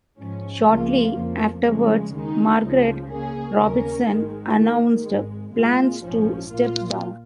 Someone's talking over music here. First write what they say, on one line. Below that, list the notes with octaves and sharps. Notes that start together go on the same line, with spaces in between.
Shortly afterwards, Margaret Robertson announced plans to step down.
G#2 F3 C#4
C#2 C#3 F3 A#3 F4
F2 F3 A#3
C#3 F3 G#3
D#2 D#3 G#3 D#4
C#2 C#3 F3
C#3 A#3 C#4 G#4
D#2 C#3 A#3 C#4 A#4
G#1 G#2 D#3 G#3
D#2 D#3 A#3
G#1 G#2 G#3
A#2 G#3 F4
A#1 G#2 F3 C#4
A#2 A#3 F4